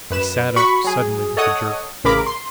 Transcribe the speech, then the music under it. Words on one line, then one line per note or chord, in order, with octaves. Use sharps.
He sat up suddenly with a jerk.
F#2 B4 E7
F#4 B5 C#6
F#3 G#4
A4 C#5 D#5 F#5 D#6
A1 C#3 A#4 B5 D6
C6